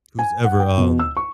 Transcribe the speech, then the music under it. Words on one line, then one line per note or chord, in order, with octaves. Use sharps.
who's ever um,
G#5
F#5
G5
B2
E6
C#6